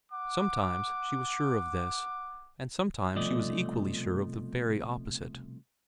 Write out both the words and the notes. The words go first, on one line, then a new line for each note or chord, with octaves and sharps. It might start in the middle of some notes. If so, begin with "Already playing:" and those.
Sometimes she was sure of this, and sometimes she was equally sure of the very opposite.
F#5 D6
C2 B2 F3 A3 D5 D#5